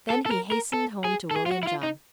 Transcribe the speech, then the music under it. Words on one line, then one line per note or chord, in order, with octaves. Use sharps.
Then he hastened home to William John.
A4
A4
A#4
A#4
A4
G#4
A4
G#4
F4
F#4
E4
F4
D#4